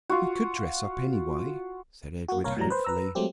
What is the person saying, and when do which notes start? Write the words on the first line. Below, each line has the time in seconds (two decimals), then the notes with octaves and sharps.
"We could dress up, anyway," said Edred hopefully.
0.09 F4 F#4
2.28 A#3 F#4
2.44 C2 A#3 A#4 C#5
2.57 A2 E3 F#3 G3 A#5
2.70 B4 C5
2.85 B4 A#5 E6
3.15 F#3 G#3 A3 C4 G4